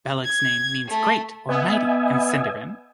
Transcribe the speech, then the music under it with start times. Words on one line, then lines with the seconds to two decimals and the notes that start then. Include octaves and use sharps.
Beleg's name means "great" or "mighty" in Sindarin.
0.25 G#6
0.88 A3
1.49 B3 D#5 E5 G#5